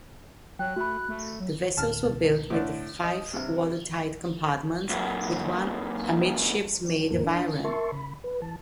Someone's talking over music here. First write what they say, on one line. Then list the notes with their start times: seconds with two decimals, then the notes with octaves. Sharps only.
The vessels were built with five watertight compartments with one amidships made of iron.
0.59 F#3 G5 F#6
0.76 A3 F#4 B5
1.09 A3
1.40 F#3
1.77 D2 A2 A5 F6
2.04 C#2 B2
2.50 A2 D3 D4
3.03 D#5
3.33 G2 C3
4.89 C#2 F#2
7.11 E2 G#2 D#3 F3 A#3 A#4
7.25 D4
7.64 A#4 E5 A5 C6 C#6
7.92 C#3 B5
8.24 B4
8.42 E3 A5